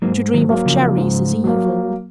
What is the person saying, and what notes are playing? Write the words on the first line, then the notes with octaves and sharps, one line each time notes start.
To dream of cherries is evil.
G#2 F#3 A#3
D#3 F#3
F#3 A#3
C#3 F3
G#2
F#3 A#3